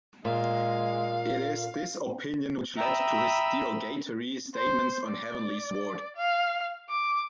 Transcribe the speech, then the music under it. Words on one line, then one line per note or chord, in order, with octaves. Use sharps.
It is this opinion which led to his derogatory statements on "Heavenly Sword".
A#2 G#3 F5
E5 G5 A#5 B5 D#6 E6
C5
D5
F5
D6